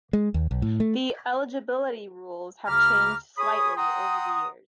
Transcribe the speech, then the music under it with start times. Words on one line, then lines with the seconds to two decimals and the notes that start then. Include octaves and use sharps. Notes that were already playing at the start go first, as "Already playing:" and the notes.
The eligibility rules have changed slightly over the years.
0.13 G#3
0.34 D#2
0.51 B1
0.62 A2
0.80 A3
2.67 D2 C#3 A#5 B5 D6 F6
3.38 G#4 C#5 G#5 B5 C#6 D#6
3.76 F#5 G5 A#5 C6 D#6